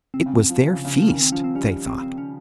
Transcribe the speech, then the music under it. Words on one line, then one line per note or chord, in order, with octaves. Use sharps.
It was their feast, they thought.
C3 C4
C#3
C#3
F3
C3
C#3
C#3
F3
D#3 C#4
C4
F3 C#4
C4
G3 C#4
C#4
C4
C4
C#4